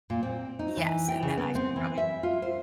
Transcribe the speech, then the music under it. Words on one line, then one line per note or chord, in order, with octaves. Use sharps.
Yes, and then I should probably
A#2
C4
D#4
E3
G5
C#3
B3
C4
E3
E5
F4
C5